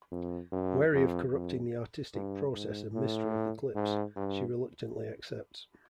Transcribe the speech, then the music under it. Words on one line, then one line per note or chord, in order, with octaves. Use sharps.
Wary of corrupting the artistic process and mystery of the clips, she reluctantly accepts.
F2
F#2
F2
F2
G2
G#2
A2
G#2
G2